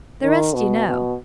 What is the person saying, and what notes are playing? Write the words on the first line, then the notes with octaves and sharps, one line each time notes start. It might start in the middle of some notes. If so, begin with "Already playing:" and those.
The rest you know.
D#3
B2
B2